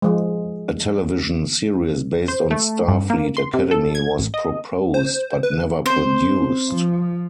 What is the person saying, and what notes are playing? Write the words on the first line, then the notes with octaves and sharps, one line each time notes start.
A television series based on Starfleet Academy was proposed, but never produced.
F3 G#3
C5
A3
G2
A#3
C6
C3
A4
G#6
A1
D#5
C5
B4
C4 C5
F3